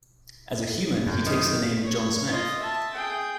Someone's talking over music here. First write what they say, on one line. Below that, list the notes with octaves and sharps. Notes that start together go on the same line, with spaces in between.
As a human, he takes the name "John Smith".
F#2
D#3
C#5
F4 D#5
E5 A5
G#4 G5